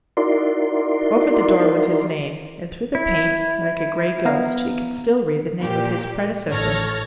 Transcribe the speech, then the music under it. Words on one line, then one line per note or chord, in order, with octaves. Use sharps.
Over the door was his name, and through the paint, like a grey ghost, he could still read the name of his predecessor.
D#4 E4 F#4 A#4 D5 C6
E4
B3 F5 A#5
A#2 G4
A1 A4 C#5 F6 A6 A#6